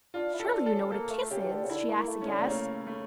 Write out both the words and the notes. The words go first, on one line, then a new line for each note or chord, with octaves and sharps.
"Surely you know what a kiss is?" she asked, aghast.
D4 F4
E4
A4
C#4
D4
A4
C#4
A#3 A4
A3
C#3 G4
E3
D3
C#3
D3 E4
A#3
E4
A3
C#4
D3
D3 A3
C#3 A#3
A3